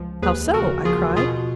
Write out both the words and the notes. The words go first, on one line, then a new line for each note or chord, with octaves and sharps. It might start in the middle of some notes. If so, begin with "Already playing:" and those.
"How so?" I cried.
Already playing: C#2 F3
D#2 G#4 B4
C#3 F#4 A#4
F3 F4 G#4
B2 F4 G#4